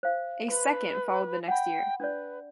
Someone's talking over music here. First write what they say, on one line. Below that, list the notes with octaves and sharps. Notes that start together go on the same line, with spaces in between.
A second followed the next year.
C5 F5
B4 C6
F#5 G5 B5
D4 B4 D5